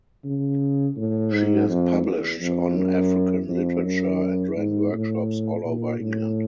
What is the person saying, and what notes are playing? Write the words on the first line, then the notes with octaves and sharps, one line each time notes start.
She has published on African literature and ran workshops all over England.
C#3
A2
G#2
F2
E2
F2
F#2
F2
F#2
G#2
A2
A#2
A2